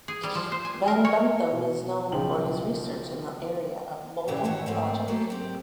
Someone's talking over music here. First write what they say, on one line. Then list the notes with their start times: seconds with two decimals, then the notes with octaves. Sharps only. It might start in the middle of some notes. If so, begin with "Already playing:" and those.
Van Benthem is known for his research in the area of modal logic.
0.08 G#4
0.23 G3
0.35 F3
0.52 C5
0.65 G#5
0.88 A#4
1.05 C#5
1.51 B2
2.12 B1 C#3 F3 F4 G5 F#7
4.28 A#2 C#3 E3 A#3 G4
4.44 G#2 D#3 E3 E4 F#4 C#5
4.66 G#2 A3 A#3 C4
5.08 F#3 A3 A#3 A4 C5 D5
5.30 C4 G4